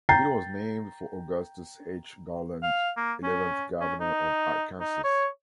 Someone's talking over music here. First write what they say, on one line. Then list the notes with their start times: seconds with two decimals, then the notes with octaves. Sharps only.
It was named for Augustus H. Garland, eleventh governor of Arkansas.
0.09 G5 A#5 G6 A6 C7
2.63 F5
2.97 A#3
3.24 C#4
3.81 C#4
4.00 D#4
4.80 D#4
5.04 C#5